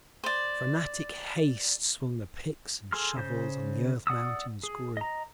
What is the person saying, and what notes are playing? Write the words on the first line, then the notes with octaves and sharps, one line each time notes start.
In frantic haste swung the picks and shovels, and the earth--mountains grew.
C5 D5
G#4 A4 C6 F6
C#3 C5 G6
D5 F#5 D#6 E6
G#4
D#5 A#5